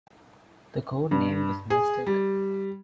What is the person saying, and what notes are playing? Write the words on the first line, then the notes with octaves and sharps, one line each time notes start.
The code name was Mystic.
G2
G#4
G3